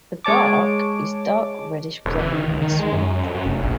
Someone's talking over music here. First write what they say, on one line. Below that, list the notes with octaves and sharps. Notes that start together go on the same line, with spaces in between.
The bark is dark reddish brown and smooth.
G#3 C#5 A5 D6
E1
E3
D#3
C#2
D#3
G#3
F#2
F#2
F2
F#2
F1
A#1